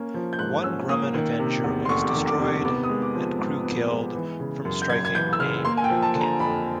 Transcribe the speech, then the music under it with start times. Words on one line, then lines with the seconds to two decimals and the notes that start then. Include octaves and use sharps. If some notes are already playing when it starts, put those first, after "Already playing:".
One Grumman Avenger was destroyed, and crew killed, from striking a balloon cable.
Already playing: A#3 C#4
0.14 F3
0.33 G6
0.39 G#2 F#6
0.64 C#4 E6
0.89 A#3 D#6
1.14 D#3
1.39 C3
1.64 E2
1.85 C6
1.89 F1 C#6
2.08 D6
2.14 D#3
2.27 D6
2.39 C3
2.45 D6
2.65 B3 D6
2.84 D#6
2.89 G#3
3.02 D6
3.15 F3
3.39 G#2
3.64 B3
3.90 G#3
4.15 E3
4.40 C#3
4.65 F#2
4.82 G6
4.90 F#1 G#6
5.05 G#6
5.15 E3 G6
5.33 E6
5.40 C#3 F6
5.65 A#3 C6
5.77 G#5
5.84 G5
5.90 F3
6.02 A5
6.15 D3
6.21 A#5
6.40 F2 B5